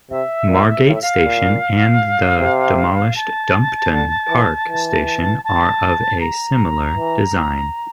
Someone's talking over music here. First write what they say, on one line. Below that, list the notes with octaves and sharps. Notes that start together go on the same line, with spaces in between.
Margate station and the demolished Dumpton Park station are of a similar design.
C3 E5
A#2
A2 F5
E5
F5
A#2
C3
A5
D3
E3
E3
A5
A#5
E3